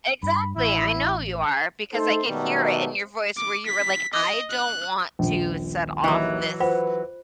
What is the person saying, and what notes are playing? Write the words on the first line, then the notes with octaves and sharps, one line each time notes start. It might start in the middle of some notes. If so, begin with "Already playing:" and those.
Exactly, I know you are, because I could hear it in your voice where you were like, "I don't want to set off this"
G2 B5
A1 E4
A3 D#4 A4 C5
B2 D#3 F#3 G3 A3
D6
B6
D#5
F#6
D#1 A#1
D#2 E3 F#3 D#5 A#5
F4 B4 C5 F#5 B5